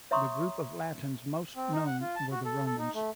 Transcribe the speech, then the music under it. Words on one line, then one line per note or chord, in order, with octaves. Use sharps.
The group of Latins most known were the Romans.
C#5 E5 A#5 C6 C#6 D#6
C4
D#4
F#5
F4
A5
F#4
A4
A4
D#4
A3